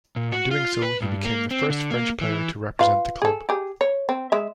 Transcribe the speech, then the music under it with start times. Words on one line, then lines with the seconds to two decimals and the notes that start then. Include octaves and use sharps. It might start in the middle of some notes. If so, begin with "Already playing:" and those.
In doing so, he became the first French player to represent the club.
0.16 A#2
0.32 F#4
0.51 F4
0.82 B4
1.02 G2
1.25 A#3
1.51 C4
1.70 D3
1.91 A#3
2.21 E3
2.79 F4 B4 F5
3.22 G#4 A4
3.49 G4 G#4
3.81 C#5
4.09 C4
4.32 G#3 E5